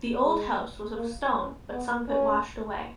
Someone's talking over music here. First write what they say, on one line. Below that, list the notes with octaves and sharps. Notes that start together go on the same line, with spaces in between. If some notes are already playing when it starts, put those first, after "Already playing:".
The old house was of stone, but some of it washed away.
G#3
A#3
C#4
B3
C#4